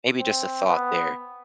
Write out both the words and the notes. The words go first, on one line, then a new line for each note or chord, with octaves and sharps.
maybe just a thought there.
C4
B3